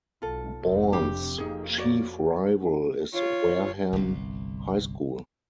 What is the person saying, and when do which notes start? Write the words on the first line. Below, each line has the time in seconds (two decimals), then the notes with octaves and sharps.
Bourne's chief rival is Wareham High School.
0.22 B1 F4 A4
0.60 F1 F2 C3
0.93 D4 G4
1.38 F2 A#3 D#4 G#4
1.78 F#4 C#5 D5
3.13 F4 C#5
3.93 G1 C2